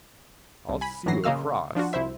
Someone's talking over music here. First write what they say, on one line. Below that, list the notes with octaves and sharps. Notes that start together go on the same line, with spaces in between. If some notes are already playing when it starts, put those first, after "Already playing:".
I'll see you across.
C2
G#5 B5
G1 A2 E3 F#3 A#6 C7
C#3 A#3 D#5 F5 E6 F6
F3 D4 F4 F#4
C2 E4 C5 E5